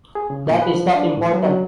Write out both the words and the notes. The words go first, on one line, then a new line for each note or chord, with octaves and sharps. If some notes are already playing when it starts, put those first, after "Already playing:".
That is not important.
G#4
C#3
A#2
B4
F3
D4
A2
F#3
F#3